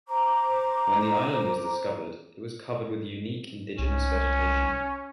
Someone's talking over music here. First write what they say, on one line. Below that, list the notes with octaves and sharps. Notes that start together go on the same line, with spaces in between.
When the island was discovered, it was covered with unique indigenous vegetation.
C5 A#5 D6
C2 C#4